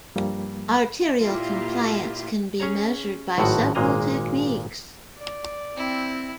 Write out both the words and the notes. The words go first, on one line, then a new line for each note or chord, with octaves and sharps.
Arterial compliance can be measured by several techniques.
G2 F3 G3 A#3
A#2 A#3 E4 F4 G4
C#4 G#4 C#5 A#5
G#1 A2 F3 F#3 F#4 F#5
G#1 A#2 G#3 A#3 D#5 A#5
D5
C4 E4